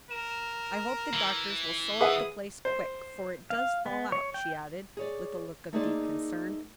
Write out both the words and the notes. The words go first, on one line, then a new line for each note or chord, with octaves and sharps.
"I hope the doctors will sew up the place quick 'fore it does fall out," she added, with a look of deep concern.
A#4 E7
E3
G#4 B4 E5 F#5 D#6
C5
F5
B3
C#5
G5
G#4 C#5 D5
A3 A#3 D#4 G#4 C5 D5